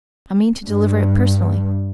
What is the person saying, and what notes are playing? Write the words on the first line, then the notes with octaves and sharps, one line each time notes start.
I mean to deliver it personally.
G2